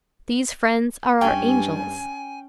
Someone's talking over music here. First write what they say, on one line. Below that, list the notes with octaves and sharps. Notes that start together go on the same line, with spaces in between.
These friends are our angels.
G2 C#4 G5 G#5